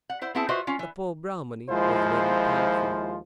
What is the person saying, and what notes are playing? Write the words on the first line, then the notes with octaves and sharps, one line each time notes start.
The poor Brahmani was very thankful.
F#5
E4 C5
B3 C4 E4 G#4 A5
F4 F#4 B4 C5 D#5 E5
C#4 F4
E3
D#2 F3 G#3 E4 F4 C5